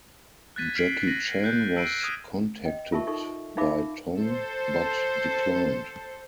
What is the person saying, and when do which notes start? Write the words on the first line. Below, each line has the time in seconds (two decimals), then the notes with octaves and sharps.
Jackie Chan was contacted by Tong, but declined.
0.56 F#6 G#6 A6 B6 D#7
0.76 F6 B6 C7 D7 F#7
1.07 A#6 D#7 F#7
1.44 F#6 G6
1.76 E6 C7 D7 D#7
2.00 D#6 F6 G#6 D#7 E7
2.65 D#5 G5
2.92 F4 A#4 E5 A5 C#6
3.07 D#4 A4 C#6
3.57 D#4 A#4 E5 F5 B5 D6
4.18 A4 C5